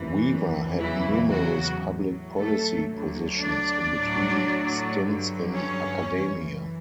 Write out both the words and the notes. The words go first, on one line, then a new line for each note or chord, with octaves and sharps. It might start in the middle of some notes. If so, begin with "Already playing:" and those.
Weaver had numerous public policy positions, in between stints in academia.
Already playing: F#2 E3
E2 C#3 E3 F#3 E4
F#3 F#4
A2 F#3
A3 A4
D2 D3 F#3
D4 D5
A2 F#3
G2 D3 F#3
C#4 C#5
F#2 E3